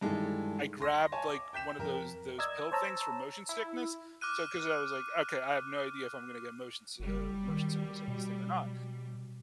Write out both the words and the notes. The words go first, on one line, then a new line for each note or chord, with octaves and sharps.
I grabbed, like, one of those those pill things for motion sickness, so 'cause I was like, "Okay, I have no idea if I'm gonna get motion si oh, motion sickness on this thing, or not."
G2 D#3 E3 G#3 A4
C6 A#6
C#5 G#5 A5
D6
G5 G6 B6 E7
F2 A#4
D5 D#5 A#5 E6 G#6
C5 C#5 A5 A#5 E6
E4
D6 F6 F#6 D#7
F#1 F#3 G3
D#3
B2